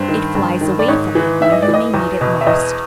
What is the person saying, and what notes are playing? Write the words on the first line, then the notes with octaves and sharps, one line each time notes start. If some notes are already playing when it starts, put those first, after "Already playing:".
It flies away from him when he may need it most.
Already playing: G2 C5
D#3
G2
D#3
D5
G#2 C#5
E3
G#2 E5
D#5
D5
E3
D#5
E2
B2
E5
E2 D#5